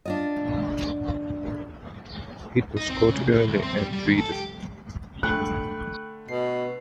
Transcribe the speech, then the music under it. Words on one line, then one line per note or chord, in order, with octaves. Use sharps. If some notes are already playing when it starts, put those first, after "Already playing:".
It was caught early and treated.
D4 F4 D#5
D#4
C4
C#3
C2
A2
D2
C4
G3
G3
D#2
A4
G4
D3 A3 G5 B5 F#6 C#7
B2 C7